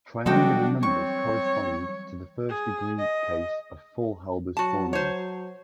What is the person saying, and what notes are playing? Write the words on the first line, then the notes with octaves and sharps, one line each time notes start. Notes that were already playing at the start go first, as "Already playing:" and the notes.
Triangular numbers correspond to the first-degree case of Faulhaber's formula.
E3 F#3 G3 D4 F#4 A4 D#5 G5
C4 C#5 C#6
G#4
D#5
F#3 F#4 A5
C5 C#5